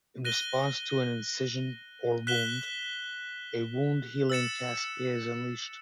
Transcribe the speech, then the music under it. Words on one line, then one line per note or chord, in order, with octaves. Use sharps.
In response to an incision or wound, a wound healing cascade is unleashed.
F#6 A#6 D#7 G7
F#6 B6 E7 G7
E6 A6 C#7 E7